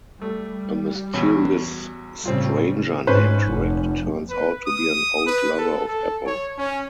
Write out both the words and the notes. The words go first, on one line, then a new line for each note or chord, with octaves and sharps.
A mysterious stranger named Rick turns out to be an old lover of Apple.
G3 A3
E2 B2 C#4
A2 C#3 G3 C4 F4
G#2 C#4 B4 C5
F1
B4
D#6
B4
A4
A4
C#5
C#4